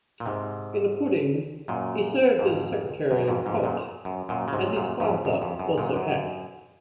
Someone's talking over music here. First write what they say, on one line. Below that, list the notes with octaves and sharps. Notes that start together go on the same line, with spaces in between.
In the Pudding, he served as Secretary and Poet, as his father also had.
A#2
G#2 C3
F#2 A#2
F2 G#2
F#2
F2 G#2
F2 G#2
F#2 A#2
F#2
F#2 A#2
C#3
G#2 C3
F#2 A#2
F2 G#2
F#2
F2
F#2
F#2 A#2
F#2